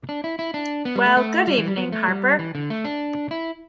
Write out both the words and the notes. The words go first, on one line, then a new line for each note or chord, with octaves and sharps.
Well, good evening, Harper.
D4
E4
E4
D4
B3
G3
A3
A3
G3
E3
G3
B3
A3
G3
E3
D3
A3
D4
E4